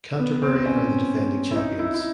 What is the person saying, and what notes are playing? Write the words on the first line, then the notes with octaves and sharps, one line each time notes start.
Canterbury are the defending champions.
B3
C4
C4
C#4
E4
D#4
E4
E4